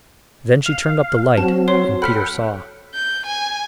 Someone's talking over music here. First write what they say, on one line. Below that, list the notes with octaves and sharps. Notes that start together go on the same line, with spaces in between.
Then she turned up the light, and Peter saw.
F5 F7
F#3 C4 F#4 A5
C#5 C6 C7
A4 F#5 G5 B5 F6 B6
G6
G#5